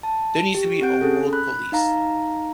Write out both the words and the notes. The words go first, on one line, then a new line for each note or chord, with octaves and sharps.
There needs to be a world police.
A5
G4
C4 G4 F#5 G6 D7
C#4 G#4 A4
B5 F#6
D#4 F5 A#5